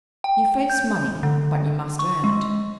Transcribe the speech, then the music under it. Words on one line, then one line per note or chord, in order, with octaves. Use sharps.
You face money, but you must earn it.
G5
G6
D3
C#6
G#3